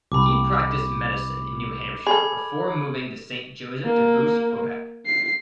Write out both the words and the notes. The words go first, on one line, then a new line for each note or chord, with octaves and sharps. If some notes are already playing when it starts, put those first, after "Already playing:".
He practiced medicine in New Hampshire before moving to Saint-Joseph-de-Beauce, Quebec.
C2 B5 D6
G#4 A4 B5 G#6 F#7
A#3
C7